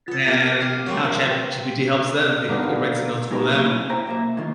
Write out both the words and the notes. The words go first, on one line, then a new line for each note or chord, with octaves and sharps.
and now ChatGPT helps them, it c it writes the notes for them.
B3 F4 A4
B3 G4 A#4
G4 F5
F#3 A#3 C4
F3
B4 G5
D3 A#3 B3 D#4 F5
B1 A2 G#3 D#4 G4 A#4
F#3 A#3 E4 G4
G#2 C#4 E4
C5 E5 G5 A#5
B1 A#3 E5
A2 D#3 F4